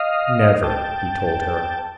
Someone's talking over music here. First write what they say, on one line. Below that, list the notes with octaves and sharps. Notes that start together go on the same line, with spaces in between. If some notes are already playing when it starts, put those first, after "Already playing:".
"Never," he told her.
Already playing: D#5 F5
G5 A5